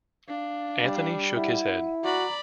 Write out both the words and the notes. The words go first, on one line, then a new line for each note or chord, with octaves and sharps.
Anthony shook his head.
D4 F5
G3
E4 F#5
F#4 D5 A#5 B5